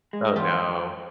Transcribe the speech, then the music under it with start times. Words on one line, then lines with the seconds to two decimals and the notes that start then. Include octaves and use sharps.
Oh, no.
0.13 G#3
0.36 E2 F4 G4